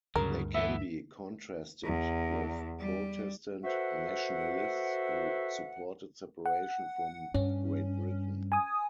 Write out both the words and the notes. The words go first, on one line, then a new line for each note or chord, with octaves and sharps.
They can be contrasted with Protestant nationalists, who supported separation from Great Britain.
D2 G2 C#3 F#3 A#4
E3 A3 B3 E5
E2
G3
F#4 A4 B4 C5 E5 F#5
F#5
G2 C#4
G#5 D#6